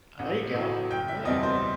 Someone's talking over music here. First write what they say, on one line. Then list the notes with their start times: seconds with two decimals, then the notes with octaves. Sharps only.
I you go. Yeah.
0.19 A1
0.54 A2 F#3
0.90 F#1 G5
1.08 E5
1.25 E2 B2 G3 C4 D#5
1.43 C5